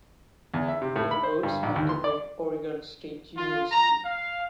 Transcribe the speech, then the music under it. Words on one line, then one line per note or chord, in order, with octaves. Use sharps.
Edwards attended Oregon State University.
E2
E5
C3
A2
B5
C5
G2
A#1
D#2
C6
D5
F4
A#5
F5